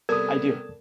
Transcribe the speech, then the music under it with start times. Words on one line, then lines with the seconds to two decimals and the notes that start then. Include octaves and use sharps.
I do.
0.09 C3 G3 B3 A4 A#4 D5 D#6 G#6